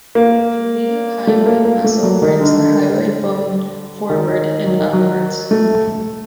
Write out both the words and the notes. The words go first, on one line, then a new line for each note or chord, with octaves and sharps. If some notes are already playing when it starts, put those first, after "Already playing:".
The geniohyoid muscle brings the hyoid bone forward and upwards.
A#3
A3
A#3
A#3
A3
F#3
D#3
D3
D#3
F#3
D#3
F#3
A3